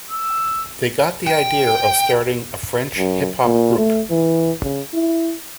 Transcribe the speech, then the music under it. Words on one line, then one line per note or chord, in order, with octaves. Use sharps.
They got the idea of starting a French Hip Hop group.
E6
G5
F#2
A#2
A3
E3
C#3
E4